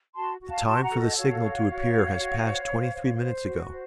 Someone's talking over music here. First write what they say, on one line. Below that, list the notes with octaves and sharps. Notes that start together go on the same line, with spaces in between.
The time for the signal to appear has passed twenty-three minutes ago.
F#4 A5 C6
F#4
F5 A5
F#4 A5 C6
F#5 A#5
A4
D#5
F#5
F#4 C#5 F5
F#4
F#4
F#4
F#4
C5
C5
C5
C5
F#4
C5